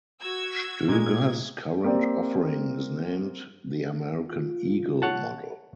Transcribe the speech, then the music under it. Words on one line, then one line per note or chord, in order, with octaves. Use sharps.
Stoeger's current offering is named the "American Eagle" model.
F#4 E6 G#6
A#2 G#3 G#6
A#3 C4 G4 D5
F4
C#5 F#5 A5